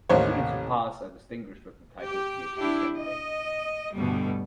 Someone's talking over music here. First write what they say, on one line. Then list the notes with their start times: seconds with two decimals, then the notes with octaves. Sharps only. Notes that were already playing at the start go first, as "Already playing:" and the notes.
Students who pass are distinguished with the title PhD candidate.
0.09 A1 D#2 C5 C#5
2.02 G4
2.58 D4 E4 G4
2.96 D#5
3.96 D2 G2 B2 D3 G3 B3